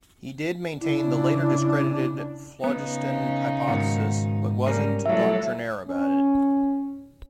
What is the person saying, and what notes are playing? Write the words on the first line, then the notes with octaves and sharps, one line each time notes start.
He did maintain the later-discredited phlogiston hypothesis, but wasn't doctrinaire about it.
C#3 D4 E4
C#3 B3 D#4
G#2 B2 D#3 F#5
G3 A#3 C#4
C2 A2 F#3 G3 A4 E5
C#4